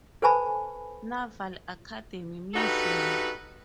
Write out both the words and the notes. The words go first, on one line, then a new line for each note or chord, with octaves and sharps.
Naval Academy Museum.
A4 B4 C5 G#5 A5 B5
G2 D#4 F#4 A4 B4